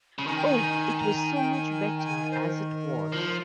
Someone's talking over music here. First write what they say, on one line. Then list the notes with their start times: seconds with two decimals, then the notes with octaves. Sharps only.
Oh, it was so much better as it was!
0.19 C#3
0.27 D#3 G#5
0.36 G5
0.45 G#5
0.99 A#5
1.17 G#5
1.34 G5
1.52 G#5
1.70 G#5
1.98 G5
2.04 G#5
2.31 C5
2.40 A#4
3.12 F3